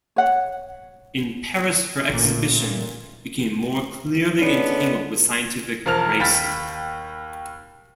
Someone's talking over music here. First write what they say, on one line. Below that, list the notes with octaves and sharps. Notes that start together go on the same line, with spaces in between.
In Paris, her exhibition became more clearly entangled with scientific racism.
C#5 F#5
A1 A#2
D3 G#3 B3 C#4 D4
E1 F3 A#4 A5 F6 F7
D#2 G5 B5 F6 A6 B6